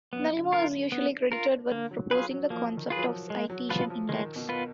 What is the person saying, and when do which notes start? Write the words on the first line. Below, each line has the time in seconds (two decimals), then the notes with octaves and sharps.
Nalimov is usually credited with proposing the concept of citation index.
0.13 F#2 B3
0.38 D3
0.53 F4 A#4
0.66 D3
0.92 B3
1.32 F4 A#4
1.72 D3 A#3
1.91 F#3
2.11 F#3 F4 G#4 B4
2.31 F#3
2.50 F3 A#3
2.77 D#3
2.90 F4 G#4 B4
2.97 F#3
3.04 F3
3.30 G#3
3.50 F#3
3.69 F3 B3 F4 B4
3.90 F3
4.09 D#3 G#3
4.36 B2
4.49 B3 F4 B4